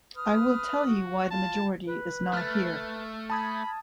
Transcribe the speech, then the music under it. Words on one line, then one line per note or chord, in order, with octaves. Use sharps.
I will tell you why the majority is not here.
B4 D#6 F6
F#4
F4 A5
B4
A3 F6 A6
A5 B5 D#6 G#6